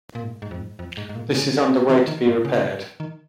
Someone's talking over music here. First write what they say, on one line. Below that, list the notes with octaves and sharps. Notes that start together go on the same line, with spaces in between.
This is underway to be repaired.
A#2
G#2
G#2
F2
G#2
F2
G#2
G#2
A#2
C#3
D#3
D#3
G#2
C#3
D#3